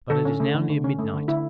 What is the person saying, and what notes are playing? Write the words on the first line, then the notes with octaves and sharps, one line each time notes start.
But it is now near midnight.
D3 A4
C#4
A3
D3
D3
C#4
A3
D3
D3 E4